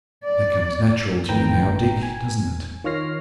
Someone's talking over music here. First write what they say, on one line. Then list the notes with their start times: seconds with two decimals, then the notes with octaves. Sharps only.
'That comes natural to you now, Dick, doesn't it?'
0.24 D5
1.29 G#1 A2 D#3 B4 G5 A#5
2.03 G#5
2.84 D#3 F4 C#5 F6 A#6 C7